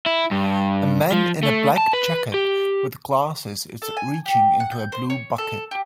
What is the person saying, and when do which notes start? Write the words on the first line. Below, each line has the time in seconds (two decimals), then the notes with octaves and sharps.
A man in a black jacket with glasses is reaching into a blue bucket.
0.06 E4
0.31 G2
1.12 F3
1.43 A3
1.78 A5
1.93 B4
2.34 G4
3.82 A4
3.97 G#5
4.26 G4
4.60 F#5
4.72 G6
4.92 C5
5.10 C#5
5.38 A4
5.71 G4